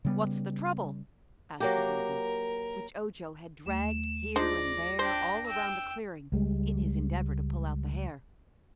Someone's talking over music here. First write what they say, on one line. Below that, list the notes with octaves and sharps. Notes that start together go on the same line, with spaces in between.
"What's the trouble?" asked the Woozy, which Ojo had dragged here and there all around the clearing in his endeavor to pull out the hair.
C#3 G3 B3
F#3 A#3 G4 A#4
D#2 A3 E7
D4 D#4 F4 G#4 C5 D5 A#6
D4 C5 G5
G5 E6
C#2 G3 G#3